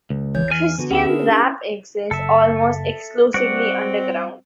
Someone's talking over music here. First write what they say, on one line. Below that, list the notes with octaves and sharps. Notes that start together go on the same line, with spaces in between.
Christian rap exists almost exclusively underground.
C#2
G#1 E2 E3 C#5 G6
G#5 F6
D3 B3 F#4
D2 C#4 E4 G#4 E5 F#5
D4 G#4 A#4
F#1 A4 E5
G3 C4 F#4 D5 F#5